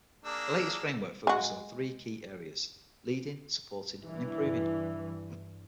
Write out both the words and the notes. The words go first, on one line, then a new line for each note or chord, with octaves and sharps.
The latest framework focuses on three key areas: leading, supporting and improving.
A#3 D4 G#4 E6
G#3 F#4
G2 E3